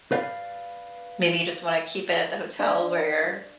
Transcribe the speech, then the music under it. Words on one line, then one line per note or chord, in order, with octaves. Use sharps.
maybe you just wanna keep it at the hotel where you're
B4 D5 F5
D4 D5 F5